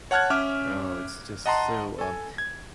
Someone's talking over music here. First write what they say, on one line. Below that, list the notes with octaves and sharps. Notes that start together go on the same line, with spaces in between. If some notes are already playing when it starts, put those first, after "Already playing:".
Oh, it's just so, um
C#5 F#5 A5 F6 F#6 G#6
C#4 E5 D6 F6
D#5 F#5 A5 A#5 C6
A4 G#5
G#6